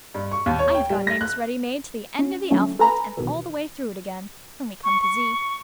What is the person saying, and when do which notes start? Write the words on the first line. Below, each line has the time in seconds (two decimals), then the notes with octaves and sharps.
I have got names ready made to the end of the alphabet, and all the way through it again, when we come to Z.'
0.15 G2
0.31 C#6
0.46 D#2
0.59 C#5
0.75 G5
0.90 G3
1.07 A#6
1.21 F#6
2.19 C#4
2.51 D3 F#3 A3 C#4
2.79 A4 B4 G#5 A#5 B5
3.17 B1 B2 D#3 E3
4.84 C#6
5.01 C#6